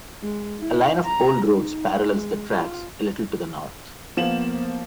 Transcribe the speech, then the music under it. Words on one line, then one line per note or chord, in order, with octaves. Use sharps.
A line of old roads parallels the tracks, a little to the north.
G#3
E4
A#5
D#4
G#3
F4
F3 A#3 B3 E7 F#7